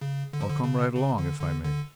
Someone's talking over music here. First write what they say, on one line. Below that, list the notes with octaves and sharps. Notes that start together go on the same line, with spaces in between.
"I'll come right along if I may."
C#3
D3
F3
D3
C#3
C#3
D3
D3
D3